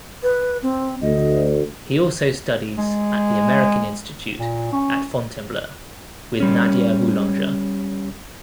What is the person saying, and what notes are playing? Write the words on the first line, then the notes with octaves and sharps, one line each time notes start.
He also studies at The American Institute at Fontainebleau with Nadia Boulanger.
B4
C4
D2 D#5
G#3
A#2
C#4
G3 C#4